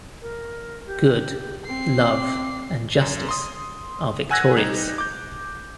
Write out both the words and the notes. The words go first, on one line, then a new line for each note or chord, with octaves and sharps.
Good, Love and Justice are victorious.
A#4
G4
C4 C7
D6
F#2
C6 D#6
F#5 G#5 E6 F#6 G#6 A#6
G3 D#4
D6 G6